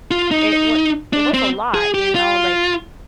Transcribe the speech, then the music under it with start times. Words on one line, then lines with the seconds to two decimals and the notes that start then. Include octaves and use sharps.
it wa it was a lot, you know, like,
0.11 F4
0.31 D#4
1.13 D4
1.34 C4
1.74 G#4
1.94 G4
2.15 F4